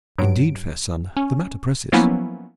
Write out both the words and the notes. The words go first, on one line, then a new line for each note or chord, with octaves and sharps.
"Indeed, fair son, the matter presses."
G2 F#3 D7
C#4
F3 F#3 A#3 B3 C#4 E4